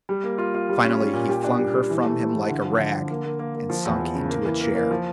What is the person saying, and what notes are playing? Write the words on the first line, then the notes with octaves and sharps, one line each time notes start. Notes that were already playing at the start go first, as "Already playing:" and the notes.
Finally he flung her from him like a rag, and sank into a chair.
G3
A#3
F4
F4
G3
C#4
G3
A#2
G4
D4
G3
G3
E3
A3
E3
E3
D3
F3
D3
D3
A#3
A#3
A#3
A#3
F3
E2
F3
C#3
A#3
E3
A#3
A#3
F3